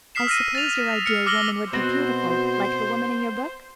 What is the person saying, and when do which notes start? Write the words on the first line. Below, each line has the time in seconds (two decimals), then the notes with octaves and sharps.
"I suppose your ideal woman would be beautiful, like the woman in your book?"
0.15 D#6 F6 B6 C7 E7
0.27 E6 F6 A#6 D#7
0.55 A6 F7
1.06 F6 C#7
1.26 D6 E6 F6 A#6 F#7 G7
1.73 B2 B3 C4 F#4 C5